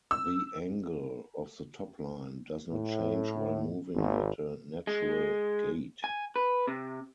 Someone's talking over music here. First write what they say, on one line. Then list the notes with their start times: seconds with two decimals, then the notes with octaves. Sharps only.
The angle of the topline does not change while moving at a natural gait.
0.11 E6
2.72 A2
3.96 G#1
4.87 G#3
6.04 G#5
6.36 B4
6.67 C3